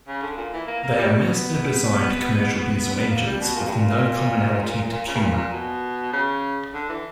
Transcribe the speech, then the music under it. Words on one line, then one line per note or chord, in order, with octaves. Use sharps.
They are Mazda designed commercial Diesel engines with no commonality to Puma.
C#3
D3
A#2
E3
A#3
A#3
G3
G3
B3
B3
A#3
G3
B2
A#2
G2
A#2
A#2
C#3
G2
A#2
A#2
B2
C#3
D3
E3